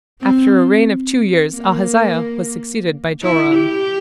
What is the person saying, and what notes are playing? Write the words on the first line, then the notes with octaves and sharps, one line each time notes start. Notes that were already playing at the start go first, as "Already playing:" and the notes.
After a reign of two years Ahaziah was succeeded by Joram.
C4
A#3
E4
G4